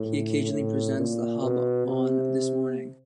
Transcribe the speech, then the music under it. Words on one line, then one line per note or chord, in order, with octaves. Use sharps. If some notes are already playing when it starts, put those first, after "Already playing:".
He occasionally presents "The Hub" on "This Morning".
Already playing: A2
A2
A#2
B2
C3